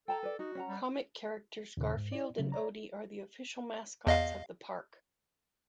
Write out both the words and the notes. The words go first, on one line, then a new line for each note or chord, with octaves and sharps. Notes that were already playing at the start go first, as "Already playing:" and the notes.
Comic characters Garfield and Odie are the official mascots of the park.
A4 G5 A5 A#5
B4 D5
D#4 F#4
C#4 F#5 A#5
G3
D#2 A#2 C#3
G#2
E4 D5
C#3 F#3
C#5 D5 A#5
E2 D#5 F5